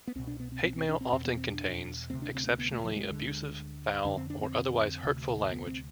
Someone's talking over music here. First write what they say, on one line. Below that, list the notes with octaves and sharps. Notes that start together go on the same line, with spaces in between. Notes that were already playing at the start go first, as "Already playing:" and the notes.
Hate mail often contains exceptionally abusive, foul or otherwise hurtful language.
B3
C2 B2 C4
D4
B3
C4
C4
C4
D4
C4
E2 B2 C4
B3
C4
D4
D2 C3 C4
D4
C4
C4
B3
A3
F3
G#3
D2 D3
F2 D3 D4
C4
D4
C4
D2 C3
B3
C4